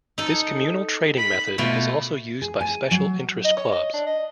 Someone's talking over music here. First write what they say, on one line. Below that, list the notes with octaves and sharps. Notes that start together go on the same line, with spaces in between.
This communal trading method is also used by special interest clubs.
D#4 A4
B5 B6
B2 A3 F4
G#4
G#5
F#3
D#5
C#5
D#5
D4
D#5